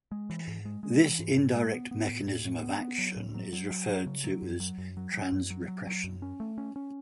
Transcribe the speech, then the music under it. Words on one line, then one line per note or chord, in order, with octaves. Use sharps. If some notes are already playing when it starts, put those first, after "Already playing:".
This indirect mechanism of action is referred to as transrepression.
G#3
E3
G#2
G#3
G#3
E3
G#2
G#2
G#3
B3
B3
A2
A2
A2
B3
B3
F#3
A2
F#3
F#3
F#3
F#3
C#3
F#3
F#2
F#3
F#2
F#3
F#3
F#2
F#3
F#3
F#3
F#2
C#4
A3
C#4
C#4